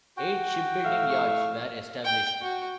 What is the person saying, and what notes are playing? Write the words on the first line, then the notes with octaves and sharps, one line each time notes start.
Eight shipbuilding yards were established.
F#4 G5
A2 E5 F5
C#6
G5
F#4